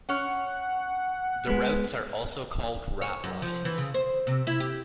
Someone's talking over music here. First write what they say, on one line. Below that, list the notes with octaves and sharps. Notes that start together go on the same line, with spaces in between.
The routes are also called ratlines.
C#4 C#5 F#5
G#3 B3
C#5
F#2
F3
E3
C#3
C5
C3
E4
G4